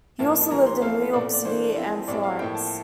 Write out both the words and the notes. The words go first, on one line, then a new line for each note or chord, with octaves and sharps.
He also lived in New York City and Florence.
A2 F3 A#3 E4 A5
E3 G3 A#3 A#5
C6
F3 A3 C4 E4 F5
A#2 A3 C4 D5
D5
E3 A3 D4 C5
F3 C4 E4
A2 G3 C4 E4 D5
F5
A2 F3 A#3 E4 G5
A5